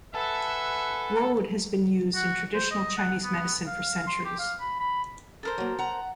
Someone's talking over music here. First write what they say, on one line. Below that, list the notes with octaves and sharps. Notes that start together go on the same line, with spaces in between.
Woad has been used in traditional Chinese medicine for centuries.
A4 B4 E5 F#5 G#5
F#4
C5
D#5
F#5
B3
F5
C6
G4
F5
B5
B5
A4 A#4 C5
F#3 A#3
F#5 A#5